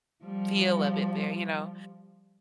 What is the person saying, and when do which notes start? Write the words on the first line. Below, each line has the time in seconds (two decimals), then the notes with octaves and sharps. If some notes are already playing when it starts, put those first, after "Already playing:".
feel of it there you know?
0.24 F3 G3